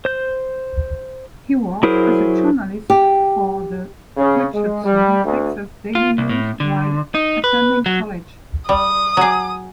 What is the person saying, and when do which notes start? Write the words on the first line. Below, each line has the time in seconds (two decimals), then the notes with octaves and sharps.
He worked as a journalist for the Richardson, Texas, Daily News while attending college.
0.05 C5 G6
1.83 F#3 E4 G#4 A#4 C5
2.90 G4
4.17 C#3
4.53 G#3
4.84 G3
5.23 D2
5.95 F4
6.18 C2
6.29 A2
6.60 D3
7.15 D#4
7.44 B4
7.86 F#3
8.69 G3 D#6
9.17 F#3 G#4